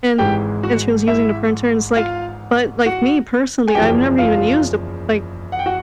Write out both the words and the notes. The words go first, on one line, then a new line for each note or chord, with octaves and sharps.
and and she was using the printer and it's like but, like, me personally, I've never even used a p like,
G#1 G#2 E3 G#3 G4 G5
F#4 F#5
E4 E5
F4 F5
F#4 F#5
G#5
F#1 E2 C#3 F3 G4 G5
F4 F5
F#5
G5
F#4 F#5